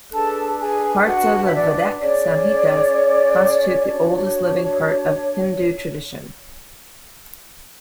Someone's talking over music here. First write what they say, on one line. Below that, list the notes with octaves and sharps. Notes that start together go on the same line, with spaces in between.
Parts of "Vedic Samhitas" constitute the oldest living part of Hindu tradition.
D4 G#4 A4 B4 A5
G#4 G#5
F#4 F#5
E5
D5
C#4 G#4 C#5 D5
D4 F#4 C#5